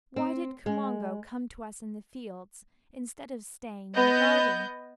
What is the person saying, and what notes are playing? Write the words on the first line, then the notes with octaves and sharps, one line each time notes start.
Why did Koumongoe come to us in the fields instead of staying in the garden?'
C4
G#3
B3 D#5 G6